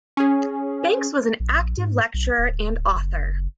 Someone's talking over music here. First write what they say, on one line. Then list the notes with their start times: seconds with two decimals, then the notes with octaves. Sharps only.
Banks was an active lecturer and author.
0.17 C#4 G#4
1.40 A#1
1.78 G#2
2.14 B1
2.38 D1
2.95 F#1